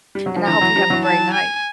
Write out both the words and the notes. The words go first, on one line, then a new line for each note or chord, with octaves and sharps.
and I hope you have a great night.
G3
F#3
F3
D3 E3 A#5
E3 F#3
F3 G3
E3 F#3
A5
G#5